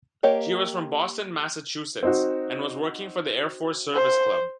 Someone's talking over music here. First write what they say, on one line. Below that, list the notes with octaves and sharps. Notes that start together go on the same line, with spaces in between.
She was from Boston, Massachusetts, and was working for the Air Force service club.
A#3 G4 C#5 D#5
C4 D#4 F#4
C5